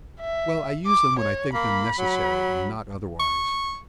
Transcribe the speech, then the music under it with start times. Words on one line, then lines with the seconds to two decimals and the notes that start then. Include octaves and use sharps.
Well, I use them when I think them necessary, and not otherwise.
0.20 E5
0.87 D6
1.19 C#5
1.54 A#3 B5
1.98 F#3
3.20 C#6